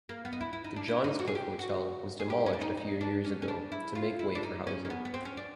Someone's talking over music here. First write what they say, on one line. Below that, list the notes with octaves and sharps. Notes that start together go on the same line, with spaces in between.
The Johnscliffe Hotel was demolished a few years ago to make way for housing.
A#3
B3
D#4
E4
E4
D#4
D4
E4
D#4
F#4
G#4
G4
F#4
G#4
G4
C#4
D4
D#4
D#4
D4
C#4
C#4
D4
E4
F4
E4
D4
D#4
C#4
A#3
B3
B3
C4
C#4
D4